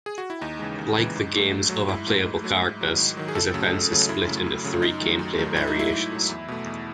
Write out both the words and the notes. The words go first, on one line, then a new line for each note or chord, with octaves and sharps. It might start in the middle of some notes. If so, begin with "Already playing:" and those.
Like the game's other playable characters, his offense is split into three gameplay variations.
G#4
F#4
E4
D#2 D#4
C#3 E3 G#3
D#2
C#3 E3 G#3
G#2
F#3 A3
G#2
F#3 A3
G#2 E4
F#3 A3
G#2
F#3 A3
G#2
D#3 F#3
G#2
D#3 F#3
G#4
C#2 A4
C#3 F#3 A3
C#2
C#3 F#3 A3
F#2 E4
C#3 F#3 A3
F#2
C#3 F#3 A3
F#2 D#4
D#3 F#3 A3
F#2
D#3 F#3 A3
G#2 E4
D#4
F#3 A3 E4
G#2
F#3 A3
E2
B2 A3
E2